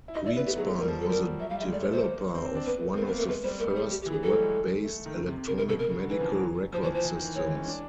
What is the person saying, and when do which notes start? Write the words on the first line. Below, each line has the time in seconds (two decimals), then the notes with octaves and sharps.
Greenspun was a developer of one of the first Web-based electronic medical record systems.
0.08 E4
0.15 D#4 D#5
0.25 E4 D5
0.36 B3 B4
0.46 A3 G4
0.56 F#3 G#4
0.67 G#3 A4
0.78 G3 A#4
0.88 F3
0.98 F#3
1.01 A4
1.09 G3 A#4
1.40 F#3 E5
1.49 G3 F5
1.59 E5
1.62 G#3
1.72 A3 D5
1.82 C#5
1.87 A3
1.92 C5
2.03 A#3
2.35 C4
2.45 C4
2.55 D4
2.66 B3 B4
2.81 A3
2.94 C4 A#4
3.02 B3
3.07 A#4
3.11 A#3
3.18 A3 A#4
3.28 G#3 B4
3.43 G3 C5
3.59 A3 A#4
3.71 G3
3.76 G#4
3.81 G3
3.90 G4
4.02 G4
4.06 E3
4.12 G#4
4.22 F#3 A4
4.33 G3
4.38 A3
4.43 G#3
4.84 A3
5.06 D#3
5.16 C#3
5.27 C3
5.38 C3
5.47 C#3 A#4
5.58 C3 A#4
5.69 B2 A4
5.79 A#4
5.90 C#3
6.00 D3
6.10 E3 B4
6.21 F3
6.31 F#3
6.72 F3 C5
6.83 E3 C5
6.94 F3 C5
7.05 E3
7.15 D#3
7.25 E3
7.35 E3 C#5
7.46 G#3
7.56 C#4
7.68 D4